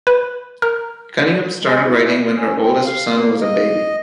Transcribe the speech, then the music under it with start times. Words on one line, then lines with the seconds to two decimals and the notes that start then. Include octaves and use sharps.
Cunningham started writing when her oldest son was a baby.
0.07 B4
0.62 A#4
1.61 G#3
1.86 E4
2.36 C#4
2.58 C4
2.85 F5
3.12 A#3
3.41 D#5